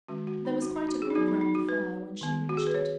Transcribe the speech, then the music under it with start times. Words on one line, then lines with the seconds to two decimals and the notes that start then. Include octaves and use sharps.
There was quite a group round the fire when she reached it.
0.08 D#3 G#3 C#4 F#4
0.27 F#4
0.45 D#4
0.62 F#4
0.76 D#4
0.89 F#4
1.02 G#4
1.10 D#4
1.15 F#3 B3 F#4
1.28 D#4
1.41 D#4
1.55 F#4
1.69 B4
2.21 D#3 B3
2.49 F#4
2.57 G#4
2.67 B4
2.75 C#5